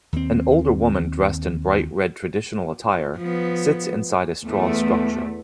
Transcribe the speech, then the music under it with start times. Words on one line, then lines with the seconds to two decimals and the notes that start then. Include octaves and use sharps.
An older woman dressed in bright red traditional attire sits inside a straw structure.
0.13 D#2 C4
3.18 F3 B3
4.45 E2 A3